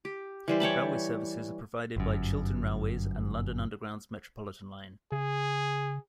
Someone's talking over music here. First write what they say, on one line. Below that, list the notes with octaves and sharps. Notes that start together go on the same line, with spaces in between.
Railway services are provided by Chiltern Railways and London Underground's Metropolitan line.
G4
E3 G3 C5
C#5 G5 A5 B5
G1 F#2
C#3 G#4